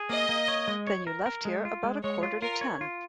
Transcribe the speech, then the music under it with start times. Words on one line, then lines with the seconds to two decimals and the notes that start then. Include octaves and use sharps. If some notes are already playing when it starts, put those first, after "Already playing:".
Then you left here about a quarter to ten.
Already playing: G#4
0.09 A#3 D#5
0.29 A#3
0.48 C#5
0.68 G#3
0.87 C#5
1.07 A#4
1.26 A#4
1.45 G#3
1.65 F4
1.84 G#3
2.03 G#3 C#5
2.23 F4
2.42 F4 A#4
2.61 C#5
2.81 F4